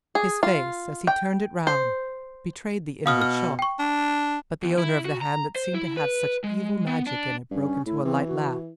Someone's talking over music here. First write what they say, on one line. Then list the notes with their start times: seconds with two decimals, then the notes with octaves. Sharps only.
His face, as he turned it round, betrayed the inward shock; but the owner of the hand that seemed to have such evil magic in it broke into a light laugh.
0.15 G#4
0.43 F4
1.07 G5
1.67 C5
3.06 B2 F5 D#6 F6
3.22 F6
3.59 G5 C#6
3.79 D4
4.63 E2
4.78 E4
5.05 F#4
5.21 A#5
5.56 C5
5.74 E4
5.97 B4
6.44 G#3
6.87 B3
7.07 D4
7.51 G2 C#4
7.86 A2 E4
8.05 E3 C4
8.27 F#4